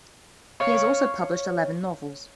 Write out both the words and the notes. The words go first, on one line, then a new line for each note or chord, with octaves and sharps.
He has also published eleven novels.
C#5 F5